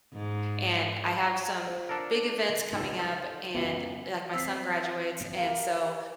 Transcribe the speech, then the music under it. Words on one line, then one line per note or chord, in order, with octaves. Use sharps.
and I have some big events coming up, and, like, my son graduates, and so,
G#2
F4 C5
D4 A4 A#4
C#2 D#4 A4
A4 C5
C#2 F#2 B3 F4 F#4
C4 E6 B6 C7
G4 A#4 F5